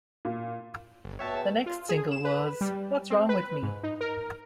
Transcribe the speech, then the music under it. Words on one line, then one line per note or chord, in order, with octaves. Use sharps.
The next single was "What's Wrong With Me".
A#2
G1
B2 F#4 C#5 E5 G5 A5
G#4
F4
G#4
E7
B4
G3
C4
B4
G#2
D#4
A#4